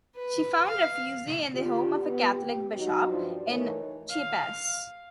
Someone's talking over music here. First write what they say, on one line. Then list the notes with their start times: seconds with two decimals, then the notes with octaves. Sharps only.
She found refuge in the home of a Catholic bishop in Chiapas.
0.16 B4
0.67 F5
1.54 D3 F4 G4
1.98 B3
2.31 G4
2.75 F#3 D#4 F#4
3.06 G2 F3
3.47 E3 A3 D#4 A#4 B4 C#5
4.10 F5